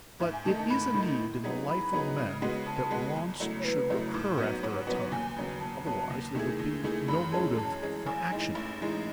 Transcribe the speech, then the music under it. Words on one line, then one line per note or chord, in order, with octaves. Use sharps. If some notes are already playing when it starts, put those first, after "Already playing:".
But it is a need in the life of men that wants should recur after a time, otherwise there would be no motive for action.
G#2 E5
G#5
D#3 A3 D#4 A5
A5
G#2 B5
D#3 A3 D#4
A2
F#3 B3 D#4 G#4
A2 B5
F#3 B3 D#4 G#4
C#3
G#3 B3 F#4
C#3 A5
G#3 B3 F#4
E2
C#3 F#3 A3 E4
C#5
E2 B4
C#3 F#3 A3 E4
G#2
F#3 B3 F#4
G#2 C#5
C#5
F#3 B3 F#4 B4
C#5
D#2 G#5
C#3 F#3 B3
D#2 A5
C#3 F#3 B3
D#2
D#3 A3 E4 G#4
D#2
D#3 A3 E4 G#4
F#2 B5
E3 G#3 C#4 G#4 A5
F#2 A5
E3 G#3 C#4 G#4
A1 G#5
A2 E3 G#3 D#4
A1
A2 E3 G#3 D#4